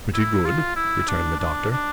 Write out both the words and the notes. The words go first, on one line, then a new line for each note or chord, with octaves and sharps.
"Pretty good," returned the Doctor.
E4
F4
E4
D4
D4
D4